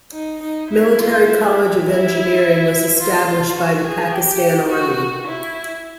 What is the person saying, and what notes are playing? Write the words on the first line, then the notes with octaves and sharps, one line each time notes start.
Military College of Engineering was established by the Pakistan Army.
D#4
D#4
E4
F4
E4
E4
F4
F#4
G#4
G4
F#4
E4